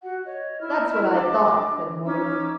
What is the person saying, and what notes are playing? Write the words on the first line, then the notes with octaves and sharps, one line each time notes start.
"That's what I thought," said Morgan.
F#4 F#5
C#5 D#5
E4 F6
D4 D#5 D6
C#4 D#4 D6 E6